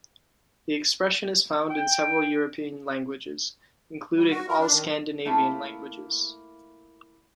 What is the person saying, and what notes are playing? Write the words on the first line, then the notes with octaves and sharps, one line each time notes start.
The expression is found in several European languages, including all Scandinavian languages.
G5
G3
F#4
A#4
D4
D#3
A3 A#3 E4 F4